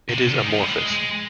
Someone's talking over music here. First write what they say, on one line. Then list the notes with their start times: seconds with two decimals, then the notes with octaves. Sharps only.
It is amorphous.
0.09 C3
0.26 D3
0.42 D#3
0.50 F3
0.58 G#3
0.66 G3
0.74 G#3
0.91 G#3